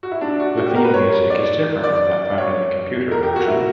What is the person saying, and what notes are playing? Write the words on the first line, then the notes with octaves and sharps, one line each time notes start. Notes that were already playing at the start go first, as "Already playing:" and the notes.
The theme music is different from that found in the computer version.
F#4
E4
D4
F#4
F#4
G4
A#4
B4
C#5
D5
D5
C#5
A#4
G4
F#4
E4